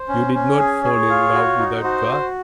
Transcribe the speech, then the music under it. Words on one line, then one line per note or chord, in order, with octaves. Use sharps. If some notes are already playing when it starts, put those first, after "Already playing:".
"You did not fall in love with that girl?"
Already playing: C5
C#4
C#4
G#4
G#4 C#5
F4
F#4
D#4
F#4 C5
F#4